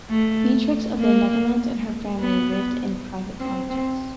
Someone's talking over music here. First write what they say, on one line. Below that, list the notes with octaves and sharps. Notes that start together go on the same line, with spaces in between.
Beatrix of the Netherlands and her family lived in private cottages.
A3
A#3
B3
C4
C4